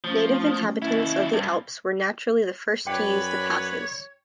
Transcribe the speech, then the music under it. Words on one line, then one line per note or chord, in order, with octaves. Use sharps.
Native inhabitants of the Alps were naturally the first to use the passes.
F3 A3 C#4
D#2 C#4 E4
G2
F#2 B4 C#5 D5 G5 B5